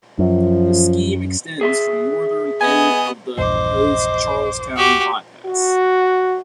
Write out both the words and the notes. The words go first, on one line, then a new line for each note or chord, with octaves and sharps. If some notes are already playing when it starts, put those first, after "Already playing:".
The scheme extends from northern end of the proposed Charlestown bypass.
F#2 F3
G#4 E5 C6
B3 D#5 G#5
A#1 E2 G2 C5 D#5 D6
F#4 G4
F#4